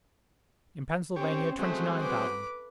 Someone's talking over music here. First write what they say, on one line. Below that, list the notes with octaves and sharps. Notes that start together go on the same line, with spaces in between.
In Pennsylvania, twenty-nine thousand.
C4 C#4 G4 C#5
F#3 G#3 A3 C4
B4 D6